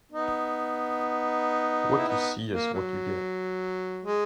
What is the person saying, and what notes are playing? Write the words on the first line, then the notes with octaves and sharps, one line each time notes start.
What you see is what you get.
B3 D#4
E4
B3 D#4
A#3
F#3
G#3